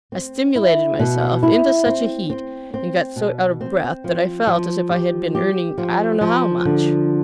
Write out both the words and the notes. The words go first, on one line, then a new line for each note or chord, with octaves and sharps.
I stimulated myself into such a heat, and got so out of breath, that I felt as if I had been earning I don't know how much.
C4
E4
B2
E4
C4
C4
C4
B2
C4
F3
F3
G4
G4
F3
F3
D3